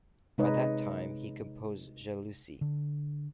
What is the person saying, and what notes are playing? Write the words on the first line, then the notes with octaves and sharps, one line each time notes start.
By that time he composed "Jalousie".
C3 G#3 D#4 B4 C#5 D#5
D3